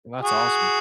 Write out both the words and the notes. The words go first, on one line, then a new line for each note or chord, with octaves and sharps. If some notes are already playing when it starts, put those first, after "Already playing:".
That's awesome.
F#4 G#4